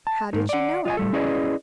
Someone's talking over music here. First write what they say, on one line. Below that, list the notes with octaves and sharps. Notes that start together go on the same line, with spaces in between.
"How did you know it?"
A5
G#2 D#4 A#4
D5 F#5
F4 D#5 G#5
A2 G3 A4
C#4 E4 G#4 B4 D5 D#5